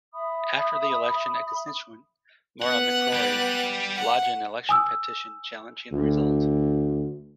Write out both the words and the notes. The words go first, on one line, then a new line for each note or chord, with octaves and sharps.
After the election a constituent, Maura McCrory, lodged an election petition challenging the result.
E5 B5 D#6
B3 F#5 F#6
G3 G4
F#5
G#5 D#6 E6
D2